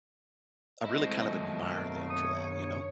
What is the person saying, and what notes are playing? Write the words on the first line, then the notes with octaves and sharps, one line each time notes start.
I really kind of admire them for that, you know?
G#3 A3 C4 E4 F#4 D#5
F#2 B2
C4 A#4
C#5 D#6
D4